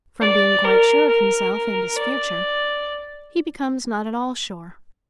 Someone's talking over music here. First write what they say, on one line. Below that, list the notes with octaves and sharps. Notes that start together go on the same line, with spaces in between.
From being quite sure of himself and his future he becomes not at all sure.
D5
A#4
A#4
D5